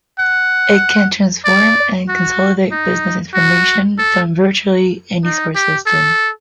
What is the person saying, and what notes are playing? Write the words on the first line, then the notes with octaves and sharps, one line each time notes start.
It can transform and consolidate business information from virtually any source system.
F#5
D5
F#4
D#4
F#4
A4
D#4
G4
A4